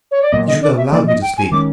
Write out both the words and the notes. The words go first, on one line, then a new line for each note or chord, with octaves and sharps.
You should have allowed me to sleep.
C#5
D5
A#2 F#3 B3 D#5
D#5
D5
E5
F3 A#3 D4 D5
D#5
G5
G#5
D#3 G#3 C#4 D6